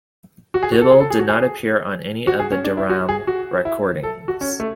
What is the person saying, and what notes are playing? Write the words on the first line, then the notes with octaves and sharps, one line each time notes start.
Dyble did not appear on any of the Deram recordings.
F#4
G#4
F#4
A4
G#4
A4
G#4
F#4
G#4
F#4
G#4
C#4
D4
E4
F#4
G#4
F#4
E4
A4
F#4
C#4
A3